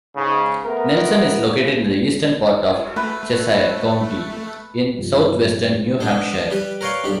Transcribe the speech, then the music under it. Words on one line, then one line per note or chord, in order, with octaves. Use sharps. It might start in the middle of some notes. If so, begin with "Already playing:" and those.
Nelson is located in the eastern part of Cheshire County, in southwestern New Hampshire.
G#2 C#3
A3 B3 A#4
A3 B4
G2 C3 F3 G3
B3 D4 A4
F3
G3 G4 B4
A#4 B4 C#5 D5 F5 G5
B1 G2 G4 B5